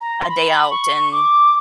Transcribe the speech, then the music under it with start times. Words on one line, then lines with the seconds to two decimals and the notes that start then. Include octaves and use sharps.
a day out, and
0.01 A#5
0.22 C6
0.29 B5
0.70 C#6
1.12 D6